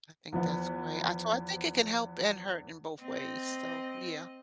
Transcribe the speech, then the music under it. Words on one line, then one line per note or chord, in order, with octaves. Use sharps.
I think that's great. I So I think it can help and hurt in both ways. So, yeah.
E2 F3 B3
C4 D#5